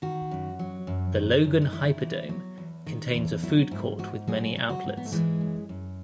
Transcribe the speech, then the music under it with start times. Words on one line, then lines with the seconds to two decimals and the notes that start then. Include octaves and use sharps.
The Logan Hyperdome contains a food court with many outlets.
0.02 D#3 F#4
0.31 F#2
0.59 F#3
0.87 F#2
1.16 D#3
1.44 F#2
1.62 D#4
1.72 D#3 E4
2.00 E2
2.29 F#3
2.57 E2
2.86 D#3
3.14 E2
3.43 F#3 E4
3.71 G#2 E4
3.99 G#2 F#4
4.27 F#3 G#4
4.56 F#3
4.69 F#4
4.84 G#2
4.97 B3
5.05 A3
5.12 E3 G#3
5.41 F#2
5.69 F#2